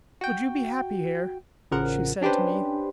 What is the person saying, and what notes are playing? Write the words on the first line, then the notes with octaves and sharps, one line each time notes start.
"Would you be happy here?" she said to me.
F#4 G5
A1 C#3 F3 A#4 F#5
C#4 D4 G4 B4 C5